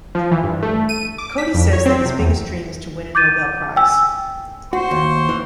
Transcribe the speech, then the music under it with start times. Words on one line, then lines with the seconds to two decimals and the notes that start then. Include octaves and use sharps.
Cody says that his biggest dream is to win a Nobel Prize.
0.15 F3
0.32 E3
0.43 G2
0.63 A3
0.89 D#7
1.18 D6
1.38 B6
1.54 F2
1.73 C#5
1.86 C4
2.05 C3
2.20 E2
3.15 D6 G6 A6 D#7
3.76 G5 G#5 E6
4.73 F#4 C5 C6 C#6
4.91 D#2
5.29 E3